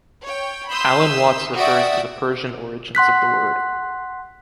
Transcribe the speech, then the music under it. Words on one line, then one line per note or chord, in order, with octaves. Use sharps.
Alan Watts refers to the Persian origins of the word.
C#5 G5
B5 C6 D#6 E6 G6 B6
F#4 D5 E5 G5 D#6 D7
F#5 C6 F#6 B6